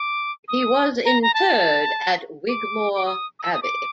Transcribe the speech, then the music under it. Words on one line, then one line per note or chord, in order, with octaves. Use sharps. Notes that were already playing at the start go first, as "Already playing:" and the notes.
He was interred at Wigmore Abbey.
Already playing: D6
D#6
A#5
A#5
A5
D6
D6
D#6
D#6
E6
D#6
D6